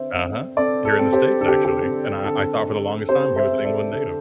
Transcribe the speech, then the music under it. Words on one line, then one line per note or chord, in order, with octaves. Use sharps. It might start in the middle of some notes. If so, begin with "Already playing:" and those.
Uh-huh, here in the states actually, and I I thought for the longest time he was an England native,
Already playing: D3 C4 C5 E5
C4
C4 A4 D5
A4
C4
G4 C5
D3 A4
G4
G4
C4
D3 A4
D3
C4 G4 C5
C5 E5
C4
A4 D5
D3 A4